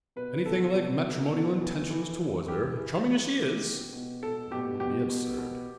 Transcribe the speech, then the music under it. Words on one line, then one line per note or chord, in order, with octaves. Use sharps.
Anything like matrimonial intentions towards her, charming as she is, would be absurd.
B2 B4
B2 A4
B2
B2
B2
E3
E3
E3
E3 G4
E3
E3
B2
B2
B2
B2 A4
B2 G4
B2 G4
B2
B2